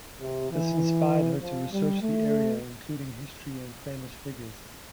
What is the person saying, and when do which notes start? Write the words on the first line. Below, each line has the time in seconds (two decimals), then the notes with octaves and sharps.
This inspired her to research the area, including history and famous figures.
0.21 C3
0.51 E3
1.41 F3
1.72 G3
2.01 A3